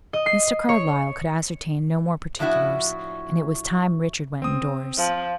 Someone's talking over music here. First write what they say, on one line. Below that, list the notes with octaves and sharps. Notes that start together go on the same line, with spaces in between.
Mr. Carlyle could ascertain no more particulars, and it was time Richard went indoors.
D#5
C7
C#5
A2 F3 D4 E4 F#4
C4 D#6
F3